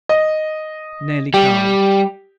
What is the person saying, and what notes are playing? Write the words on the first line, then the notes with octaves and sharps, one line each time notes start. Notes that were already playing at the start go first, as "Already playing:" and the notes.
Nearly calm.
D#5
G3 G4